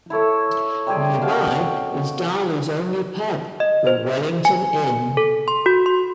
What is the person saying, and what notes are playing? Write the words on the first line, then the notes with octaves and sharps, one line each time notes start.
Nearby is Darley's only pub, the Wellington Inn.
E4 A4 C#5 E5
C3 G3 G4 G#4
B2 C#4 F5 G5
D#5
C5
G#5
A4
C6
F#4
C6